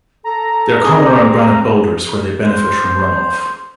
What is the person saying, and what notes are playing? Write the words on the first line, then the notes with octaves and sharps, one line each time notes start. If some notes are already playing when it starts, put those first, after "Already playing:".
They are common around granite boulders where they benefit from runoff.
A4 A#5
C4 G#4
C5